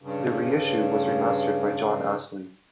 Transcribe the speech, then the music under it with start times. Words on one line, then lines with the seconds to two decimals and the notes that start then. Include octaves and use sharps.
The reissue was remastered by Jon Astley.
0.02 G2 C#3